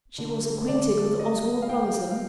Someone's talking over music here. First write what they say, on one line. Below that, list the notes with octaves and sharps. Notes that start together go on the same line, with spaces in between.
"She was acquainted with Oswald Brotherson?"
D3
A3
D3 D5
A3
A2 D#5
G3 A#3
F5
A2 G5
G3 A#3
F5